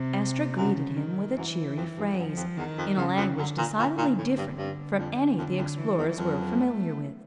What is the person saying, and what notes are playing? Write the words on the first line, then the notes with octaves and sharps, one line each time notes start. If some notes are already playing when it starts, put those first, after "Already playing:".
Estra greeted him with a cheery phrase, in a language decidedly different from any the explorers were familiar with.
Already playing: C3
F#2 C#3
D#3
F#2 E3
F2
G2
F2
F#2 F3
F2
E2 D#3
F2
E2 C#3
F2
F#2 D3
A#2
A#2 D3
A#2
A2
G2
G2
F2
F2 D3
F2
E3
E2
F2 F#3
A3